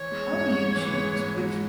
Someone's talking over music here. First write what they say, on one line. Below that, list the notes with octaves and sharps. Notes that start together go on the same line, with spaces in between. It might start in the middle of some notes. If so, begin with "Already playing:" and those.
how do you choose which
Already playing: E3 C#5
G#3
G#2
G#2
E3
G#3
G#2
G#2